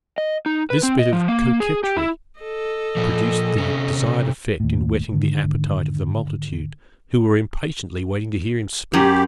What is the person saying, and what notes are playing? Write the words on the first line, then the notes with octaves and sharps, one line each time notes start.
This bit of coquetry produced the desired effect in whetting the appetite of the multitude, who were impatiently waiting to hear him speak.
D#5
D#4
B4
C4
D#5
F3
A#3
G#4
G4
E4
A4 D#5
A#2 F3
C3 C#4
D#2 A2
G#2 D3 D#3
F#2 G4